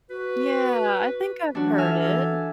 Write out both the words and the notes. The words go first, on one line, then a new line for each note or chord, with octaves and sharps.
Yeah, I think I've heard it.
F#4 B4
E3 F#3 D4 F#4
A4 E5 G#5 F6